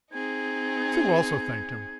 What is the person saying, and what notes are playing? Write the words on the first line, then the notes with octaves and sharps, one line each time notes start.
Sue also thanked him.
C4 D#4 G#4 G#6